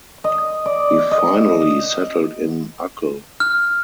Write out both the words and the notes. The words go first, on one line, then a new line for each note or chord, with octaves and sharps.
He finally settled in Uccle.
D#5
D5
D#5
F6